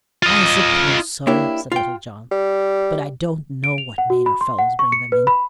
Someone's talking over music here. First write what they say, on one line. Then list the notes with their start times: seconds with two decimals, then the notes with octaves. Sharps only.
"I suppose so," said Little John, "but I don't know what made our fellows bring them in."
0.23 F4 D#5
1.27 A#3 D4 E4 G4 C#5
1.72 F4 G5
2.31 G3
3.64 D7
3.78 F7
3.98 F#5
4.10 F#4
4.26 B5
4.41 C6
4.59 F#5
4.79 C#6
4.92 C#7
5.12 B4
5.27 B5